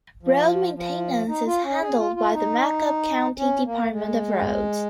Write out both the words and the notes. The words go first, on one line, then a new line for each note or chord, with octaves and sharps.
Road maintaince is handled by the Macomb County Department of Roads.
F3
F3
D#4
F4
C#4
G#4
F4
F4
D#4
C#4
A#3
G#3